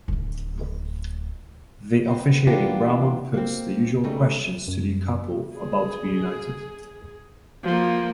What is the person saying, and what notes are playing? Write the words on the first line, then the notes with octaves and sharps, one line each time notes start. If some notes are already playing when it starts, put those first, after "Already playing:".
The officiating Brahman puts the usual questions to the couple about to be united.
D1 A3
B3 C4
E3 A#3 B3 D4 F4 G4
A#3 C4
C#3 G3 A3 D#4
F#2
G#4
F3 A#3